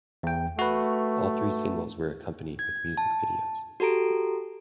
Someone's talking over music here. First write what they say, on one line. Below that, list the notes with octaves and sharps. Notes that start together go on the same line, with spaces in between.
All three singles were accompanied with music videos.
E2 G5
A3 F#4 B4
G#6
A5
F#4 G4 A4 A#5 D7